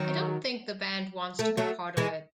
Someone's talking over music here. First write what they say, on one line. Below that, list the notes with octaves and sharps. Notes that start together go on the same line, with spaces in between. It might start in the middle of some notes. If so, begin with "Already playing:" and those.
I don't think the band wants to be part of it.
Already playing: D#3 F#3
A3
F#3 A3
E3 G#3